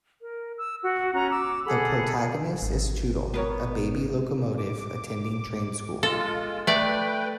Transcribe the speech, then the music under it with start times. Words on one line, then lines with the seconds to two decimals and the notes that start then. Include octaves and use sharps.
The protagonist is Tootle, a baby locomotive attending train school.
0.22 A#4
0.58 E6
0.84 F#4
1.14 C#4 F#4 A#5
1.30 D6 E6
1.66 G#4 A4 F#5 B5
2.62 G#1
3.34 B3 A#4 C#5
4.58 D6
6.03 G#3 F4 A4
6.67 A3 B4 D5 G5